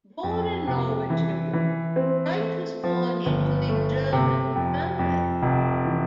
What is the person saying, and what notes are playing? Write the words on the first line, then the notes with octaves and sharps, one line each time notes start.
Born in Norwich, New York, Bright was born into a German family.
F2
C3
E3
E3
C4
A3
F3
G1
A3
C3
F2
F2
F1
E3